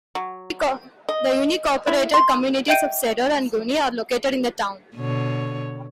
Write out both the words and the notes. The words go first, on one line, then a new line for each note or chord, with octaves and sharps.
The unincorporated communities of Cedar, and Gurney are located in the town.
F#3
D#5
E4
C6
D#5 E5 G5 G6 D7 D#7
B2 D3 C#5